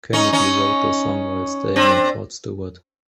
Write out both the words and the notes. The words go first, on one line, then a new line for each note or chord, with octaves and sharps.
Kennedy wrote the song while staying in Portstewart.
C#4 D#4
C#4 D#4
C4 D4